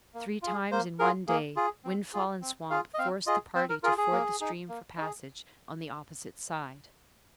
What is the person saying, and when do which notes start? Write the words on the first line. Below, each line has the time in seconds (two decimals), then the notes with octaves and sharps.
Three times in one day windfall and swamp forced the party to ford the stream for passage on the opposite side.
0.14 A#3
0.42 F4 G#4
0.71 A#3 C5
0.99 F4 G#4 A#4
1.28 A#3 G#4
1.56 F4 G#4
1.85 C4
2.13 F4 G#4
2.42 C4
2.70 F4 G#4 F5
2.94 D#5
2.99 C4 F5
3.27 F4 G#4 D#5
3.55 C4 C5
3.70 A#4
3.83 F4 G#4 A#4
3.98 G#4
4.12 A#3
4.41 D#4 G#4
4.69 A#3
4.97 D#4 G#4